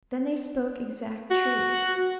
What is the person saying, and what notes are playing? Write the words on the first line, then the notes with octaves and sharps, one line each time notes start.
Then they spoke exact truth.
F#4